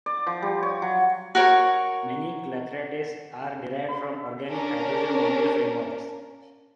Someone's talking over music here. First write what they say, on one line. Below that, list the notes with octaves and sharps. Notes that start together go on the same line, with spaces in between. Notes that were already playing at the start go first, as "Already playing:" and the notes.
Many clathrates are derived from organic hydrogen-bonded frameworks.
D5
F3
G3
C#5
F#3
F#4 A#4 C#5
C#4 D4 A#4